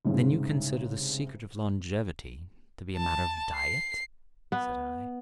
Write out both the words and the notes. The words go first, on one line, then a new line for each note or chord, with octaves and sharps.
"Then you consider the secret of longevity to be a matter of diet?" said I.
C2 G#2 C#3
A5
C7
B3